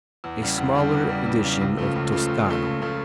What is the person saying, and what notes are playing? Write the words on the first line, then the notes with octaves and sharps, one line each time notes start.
A smaller edition of Toscano.
E2
C#3 G3
E2
C#3 G3
E2
C#3 G3
E2
C#3 G3
C#2
C#3 F3 A3
C#2
C#3 F3 A3
C#2
C#3 F3 A3
C#2
C#3 F3 A3